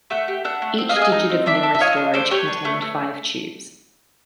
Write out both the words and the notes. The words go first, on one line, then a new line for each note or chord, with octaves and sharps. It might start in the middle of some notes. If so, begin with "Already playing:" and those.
Each digit of memory storage contained five tubes.
A3 E5 F#5
G4
D4 E5 F#5
A3
C4
D#5 F5
G#4
D#5 F5
D#4
C4
D4 D5 E5
A4
E5
F4 C#5 D#5
D4
A3 C5 D5
G4 B4 C#5
D4
A3
A3